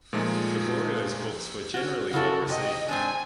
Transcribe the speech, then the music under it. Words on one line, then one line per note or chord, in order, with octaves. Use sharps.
Gaboriau's books were generally well received.
A#2 F3 G#3 A3 D#4 G#4
C#4 F#4
C#3 E4 F#4 A4
C3 D#5
G#2 C4 D4 G#5